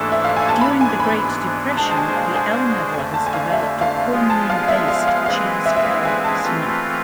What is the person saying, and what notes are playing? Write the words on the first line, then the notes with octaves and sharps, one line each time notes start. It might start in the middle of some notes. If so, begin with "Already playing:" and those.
During the Great Depression, the Elmer brothers developed a cornmeal-based cheese-curl snack.
Already playing: G#2 E3 A3 D4 A4 G#5 A5
E5
F5
G#5
A5
G#2 E3 B3 D4 B5
G#5
B5
B2 G#3 D4 G#4 C5 A5
A5
G#5
F5
G#5
F2 D3 A3 G#5
A5
G#5
F5
E5
F5
F3 G#3 B3 F4 G#4
A5
F5
E5
F5
F5
E3 G#3 C4 G#4 B4 F5
E5
E5
F5
G#5
A5
E3 A3 C4 F4 B4